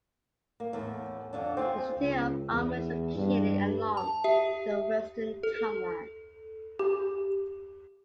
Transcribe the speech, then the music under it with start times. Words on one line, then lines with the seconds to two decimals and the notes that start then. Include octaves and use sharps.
The city of Alma is located along the western town line.
0.60 A#3
0.73 E2 A2
1.33 F2 D3 D4
1.57 C4 F4 G4 G#4
1.99 C#2
2.50 E2
3.15 G2
3.97 A5
4.24 G4 E5
5.43 A4
6.79 G4